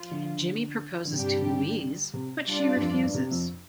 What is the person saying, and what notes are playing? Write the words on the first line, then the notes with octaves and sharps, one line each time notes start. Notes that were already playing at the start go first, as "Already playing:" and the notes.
Jimmy proposes to Louise but she refuses.
Already playing: F3 F4
D3
D3
G2 C3 G3 D4 G4
C3
D3
C3
G3 D4 F4 D5
G2
F2
F2
G2
C3
F2